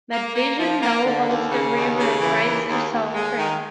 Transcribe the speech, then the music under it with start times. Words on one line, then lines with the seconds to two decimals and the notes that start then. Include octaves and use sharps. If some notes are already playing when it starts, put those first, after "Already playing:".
MadVision now holds the rerun rights to "Soul Train".
0.13 A#3
0.35 A#3
0.59 F3
0.82 A#3
1.05 D3
1.28 D#2
1.51 C#3
1.75 D#2
1.98 C#3
2.21 E3
2.44 D#2
2.68 D#2
2.91 D#2
3.13 G#3
3.37 D#3